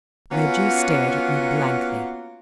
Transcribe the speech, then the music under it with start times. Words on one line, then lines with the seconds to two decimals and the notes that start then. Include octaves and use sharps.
Reggie stared at me blankly.
0.31 A#3 B3 C#4 F4 F#4